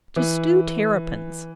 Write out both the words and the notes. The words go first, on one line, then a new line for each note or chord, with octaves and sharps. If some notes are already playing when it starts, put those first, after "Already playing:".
To Stew Terrapins.
E3